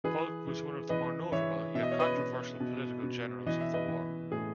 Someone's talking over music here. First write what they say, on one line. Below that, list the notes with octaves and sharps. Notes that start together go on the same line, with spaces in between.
Polk was one of the more notable, yet controversial, political generals of the war.
E3 G#4 B4
E3
E3 B4 D#5
E3 C#5 E5
B2 E5
D#5
C#5
B4 D#5
B2
B2
B2
E3 D#5
E5
B4 D#5
E3
A2 G#4